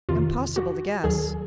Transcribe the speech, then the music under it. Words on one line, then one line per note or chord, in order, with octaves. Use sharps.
Impossible to guess.
F2 C3 D#3 F4
F#4
D#2 D#3 F#3 G#4